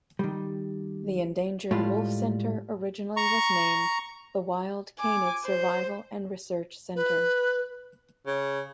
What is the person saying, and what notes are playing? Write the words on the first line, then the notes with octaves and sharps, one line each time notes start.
The Endangered Wolf Center originally was named the Wild Canid Survival and Research Center.
D#3 G3
A2 G3 G#3 F4
A#5 C#6
G#5 D6
C5
B4
C#3